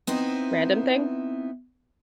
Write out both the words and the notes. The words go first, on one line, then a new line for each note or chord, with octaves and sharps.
random thing?
B3 C4 D#4 E4